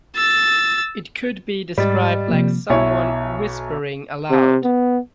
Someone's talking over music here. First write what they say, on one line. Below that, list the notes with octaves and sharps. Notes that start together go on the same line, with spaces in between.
It could be described like someone whispering aloud.
E6 A6
G#2 G3 D#5 A6
C3 F3 A#3
B1 E4 C#5 G#5
C3
B3